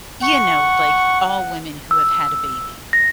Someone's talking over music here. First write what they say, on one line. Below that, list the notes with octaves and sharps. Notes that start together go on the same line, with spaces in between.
you know, like all women who have had a baby,
F#5 C#6
E6
A#6